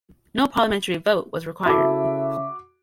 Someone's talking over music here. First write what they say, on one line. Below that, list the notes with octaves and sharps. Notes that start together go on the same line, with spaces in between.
No parliamentary vote was required.
C#3 E4 F#4 A4 E5 D6